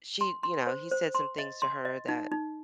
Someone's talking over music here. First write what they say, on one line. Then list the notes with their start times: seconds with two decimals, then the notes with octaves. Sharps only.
she you know, he said some things to her that
0.21 C6
0.43 C6
0.67 C5
0.91 C5
1.15 C6
1.38 D#5
1.62 C6
1.85 D#5
2.09 D#4
2.32 D#4